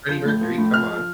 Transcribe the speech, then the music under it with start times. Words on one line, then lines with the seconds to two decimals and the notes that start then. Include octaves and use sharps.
Freddie Mercury, come on.
0.09 F3 G6
0.25 A2 G6
0.41 F3
0.58 A2
0.74 F3 F6
0.90 F3